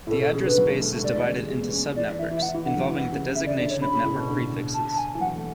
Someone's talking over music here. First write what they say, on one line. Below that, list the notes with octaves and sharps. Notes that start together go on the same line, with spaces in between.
The address space is divided into subnetworks, involving the designation of network prefixes.
A2
B2 A4
A4
C#3 G#4
D3 B4
F#3
G#3
A3
A3
G#3 D5
E3
C#3
G#3
G#3
B3
C#4
E3 D5
E3
E3 E5
E3
E5
E3 F#5
E3
D3 F#5
F#3
E3
C#3
C#3 E5
D5
D3 D5
C#5
C#3 B5
C#3
A2
B2
D3
A5
A5
G#5
E3
F#3 F#5
A3